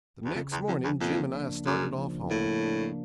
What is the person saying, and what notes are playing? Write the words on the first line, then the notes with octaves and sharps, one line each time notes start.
The next morning Jim and I started off home.
E2
F2 C#3
E2
F2 F3
E2
F2 A#3
D4
F#2 C#3
F3
A2 A#3
D4